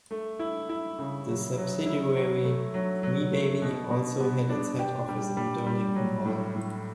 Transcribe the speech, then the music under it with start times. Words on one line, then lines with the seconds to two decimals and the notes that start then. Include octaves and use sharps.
The subsidiary bmibaby also had its head office in Donington Hall.
0.11 A3
0.39 E4
0.69 E4
0.99 C#3
1.28 F#3
1.57 F#3
1.86 E4
2.15 F#3
2.44 A3
2.74 F#3
3.03 F#3
3.33 A3
3.62 B2
3.91 B2
4.20 B3
4.50 D4
4.79 G4
5.09 G3
5.37 G3
5.66 G3
5.96 F#3
6.25 A2
6.55 A2